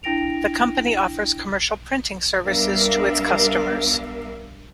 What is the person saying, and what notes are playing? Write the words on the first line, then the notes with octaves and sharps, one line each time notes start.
The company offers commercial printing services to its customers.
D4 E4 G5 A#6 D7 F7
G3 B3 D4 A#4 E5 F5